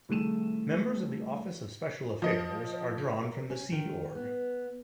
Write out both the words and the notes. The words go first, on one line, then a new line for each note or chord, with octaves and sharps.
Members of the Office of Special Affairs are drawn from the Sea Org.
C2 D#3 A3 G#4 D#7 E7
F3 D#5
A#4
C#4
D#3
B3